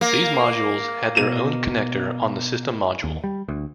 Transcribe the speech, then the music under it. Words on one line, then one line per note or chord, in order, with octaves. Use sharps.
These modules had their own connector on the system module.
A#3
B2 D#7 E7
D#2
G3
D2